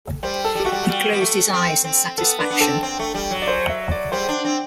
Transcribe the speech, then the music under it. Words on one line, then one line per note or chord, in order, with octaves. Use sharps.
He closed his eyes in satisfaction.
G3 C5
A4
G3
G4
A3 F#4
G3
A3
G3
B3
A3
C4
C4
B3 A4
D4 B4
B3
C4 A4
C4
A3
G3
F#3
D5
C5
E5
D5
G3 C5
D4
C4